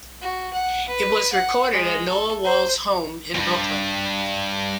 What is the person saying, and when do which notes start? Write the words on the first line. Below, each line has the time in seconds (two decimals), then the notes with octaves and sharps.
It was recorded at Noah Wall's home in Brooklyn.
0.22 F#4
0.53 F#5
0.89 B4
1.32 F#5
1.73 G#3
2.08 A4
2.44 C5
3.35 E2 G2